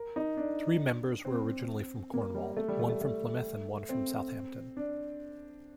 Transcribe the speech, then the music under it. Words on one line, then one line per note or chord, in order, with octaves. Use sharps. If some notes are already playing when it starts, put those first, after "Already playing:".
Three members were originally from Cornwall, one from Plymouth and one from Southampton.
Already playing: A#4
D#4
D4
C4
A#3
G3
A3
G3
A3
A3
A3
C4
D4